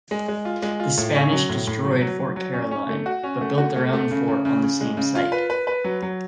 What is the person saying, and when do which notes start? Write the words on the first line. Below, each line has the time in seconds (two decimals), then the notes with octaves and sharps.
The Spanish destroyed Fort Caroline, but built their own fort on the same site.
0.11 G#3
0.28 G#3
0.45 F4
0.62 G#3
0.80 F4
0.98 A2
1.15 C#4
1.32 F#3
1.49 A2
1.67 A2
1.85 F#3
2.01 F#3
2.19 F#3
2.36 F#3
2.53 C#4
2.71 C#4
2.89 A3
3.06 F#4
3.23 C#4
3.41 A3
3.58 F#4
3.76 A3
3.93 A3
4.11 C#3
4.28 C#3
4.45 C#3
4.63 C#3
4.80 G#3
4.97 C#3
5.15 F4
5.32 B4
5.50 B4
5.67 B4
5.84 F#3
6.02 F#3